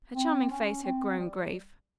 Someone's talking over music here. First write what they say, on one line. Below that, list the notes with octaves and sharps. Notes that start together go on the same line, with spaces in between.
Her charming face had grown grave.
C4
C#4
C4
G3